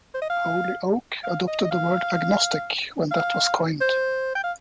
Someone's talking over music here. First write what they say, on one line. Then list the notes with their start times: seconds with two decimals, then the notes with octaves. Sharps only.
Holyoake adopted the word "agnostic" when that was coined.
0.14 C5
0.22 D#5
0.30 F5
1.24 F5
1.48 D#5
1.65 D#5
1.71 F5
3.11 F5
3.81 C5
4.35 G5
4.44 F5